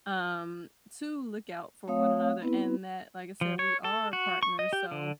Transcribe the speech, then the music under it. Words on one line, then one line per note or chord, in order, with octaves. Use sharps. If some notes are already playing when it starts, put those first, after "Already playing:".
um to look out for one another and that, like I said, we are partners so
A3 C4 C#5 F5 D#6
B3 C4 E4 B4
F3
C#5
A4
F#4
C#6
D#5
G4
D3